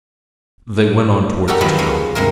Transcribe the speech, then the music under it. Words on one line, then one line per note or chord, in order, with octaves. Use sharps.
They went on toward the town.
D#4 F#4 G4 A4 A#4
D#3 F3 F#3 G#3 B4
G#3 C#4
G2 C3 G#3 A#4